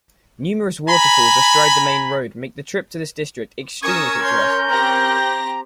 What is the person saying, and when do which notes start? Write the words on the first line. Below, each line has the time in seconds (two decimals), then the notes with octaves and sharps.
Numerous waterfalls astride the main road make the trip to this district extremely picturesque.
0.89 G#5 A#5 B5
3.82 C#4 A#4 C#6 D#6 E6 G#6
4.21 C#5 C6 G6
4.69 C4 G4 A#5 A#6